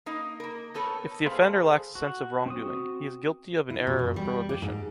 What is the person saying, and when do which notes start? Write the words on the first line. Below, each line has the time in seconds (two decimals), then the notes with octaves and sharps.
If the offender lacks a sense of wrongdoing, he is guilty of an error of prohibition.
0.06 A#3 D#4 D#5
0.40 A#3 A#4
0.74 A3 B3 A4 A#4 C#5
1.26 G#4 A4 C5 F5 B5
1.95 F#4
2.46 C4 F#4 D#6
3.70 E4
3.87 B2
3.99 F#2
4.16 G3
4.49 G4
4.62 G#2